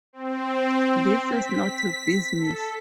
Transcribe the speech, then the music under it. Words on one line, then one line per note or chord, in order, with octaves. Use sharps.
This is not your business.
C4
C4
B6
A4